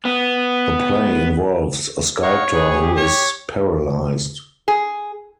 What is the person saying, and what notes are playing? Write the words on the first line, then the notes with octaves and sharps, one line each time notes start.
The play involves a sculptor who is paralysed.
B3
C#5 D#5 F5 F#5
G#4 B4
G4
C#5
G#4